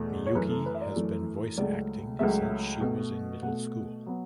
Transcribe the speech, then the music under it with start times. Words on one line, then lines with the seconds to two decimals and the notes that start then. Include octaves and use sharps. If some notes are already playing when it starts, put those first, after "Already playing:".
Miyuki had been voice acting since she was in middle school.
Already playing: E2 B2 A3
0.26 C#5
0.35 F#2 E3 A3 B4
0.50 A4
0.66 B4
0.75 E5
0.81 D5
0.96 F#2 E3 A3
1.57 C#2 C#3 F#3 A3 D5
2.19 C#2 C#3 F#3 A3 E5
2.81 B2 A3
3.43 B2 A3 F#5
4.06 F#3 B3